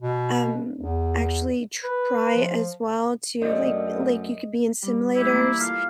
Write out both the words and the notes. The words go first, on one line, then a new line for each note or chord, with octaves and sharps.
um, actually try as well to like like, you could be in simulators
B2
E2
B4
F3
F#2 A3 C5 D5 D#5
G3
A2 E4 G4 D6
E3 A#3
E4 F4 A4 F5